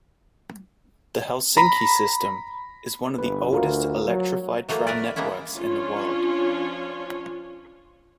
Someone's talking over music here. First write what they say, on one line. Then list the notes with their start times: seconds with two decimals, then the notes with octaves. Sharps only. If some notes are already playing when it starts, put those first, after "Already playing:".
The Helsinki system is one of the oldest electrified tram networks in the world.
1.57 A#5 B5
3.18 G1 B4
3.52 D2 F4 F#4 A#4
4.06 F#3
4.69 E3 F#3 A3 A#3
4.87 A#4 B4 D5
5.16 G#3 A#3 B3 C#4 E4
5.53 F3 C#4 D4 F4 C#5